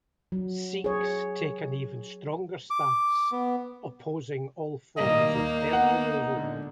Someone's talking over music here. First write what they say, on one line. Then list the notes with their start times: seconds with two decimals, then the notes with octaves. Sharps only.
Sikhs take an even stronger stance, opposing all forms of hair removal.
0.32 F#3
0.84 G#4 C#5
2.70 D6
3.32 B3
4.97 A2 D#3 G3 A#3 D#5
5.34 D#2 D#4
5.73 B3 F#5
6.32 A#2 D3 G#3